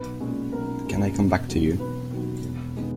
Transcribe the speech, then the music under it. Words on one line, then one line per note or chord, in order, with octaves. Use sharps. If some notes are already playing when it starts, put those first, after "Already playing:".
Can I come back to you?
Already playing: B1 B4
A#2 G#3 C#4
B1 A#4
A#2 G#3 C#4
E1
D#2 D#3 F#3
E1 B4
D#2 D#3 F#3
E1
D#3 G#3 B3